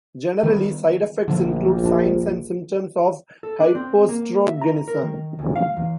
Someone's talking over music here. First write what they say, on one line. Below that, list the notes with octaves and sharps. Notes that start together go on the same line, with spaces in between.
Generally, side effects include signs and symptoms of hypoestrogenism.
D#3 G3 B3
A#1 D3 F3 A3
F#1 D4
A4
D4
C4
A#3
E5
A#5
A#4
D#3
D2
F5
E2